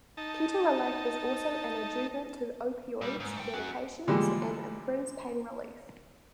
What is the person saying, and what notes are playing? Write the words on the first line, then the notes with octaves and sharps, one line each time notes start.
Ketorolac is also an adjuvant to opoids medications and improves pain relief.
D#4 A5
A#2 G3
G#2
A3 G5
C#4 F#4
A#2 D3 E3 F3 G3 G#3